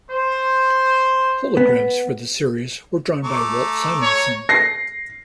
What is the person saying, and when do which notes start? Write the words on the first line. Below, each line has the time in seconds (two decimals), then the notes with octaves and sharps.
Holograms for the series were drawn by Walt Simonson.
0.10 C5
1.57 B3
3.24 A3 A#5 D6
4.02 C#5
4.49 A#6 C7